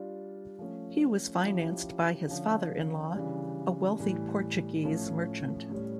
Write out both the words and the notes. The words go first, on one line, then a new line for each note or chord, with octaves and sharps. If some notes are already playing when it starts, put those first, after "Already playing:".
He was financed by his father-in-law, a wealthy Portuguese merchant.
Already playing: G3 D4 F4
F3 A3 C#4
F3 C#4 E4 G4
D3 F3 C#4 F4
C#3 E3 G3 D4
A2 E3 G3
A2 F3 A3 C#4
A2 G3 C#4